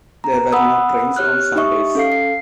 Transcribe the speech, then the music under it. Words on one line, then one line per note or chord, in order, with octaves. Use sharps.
There were no trains on Sundays.
A#5
F#5 B5 D#6 E6
G4 C#5 F6 F#6
D#4 G4 D#5 E5 C#6 D#6
C#4 A4 F5 C7
C7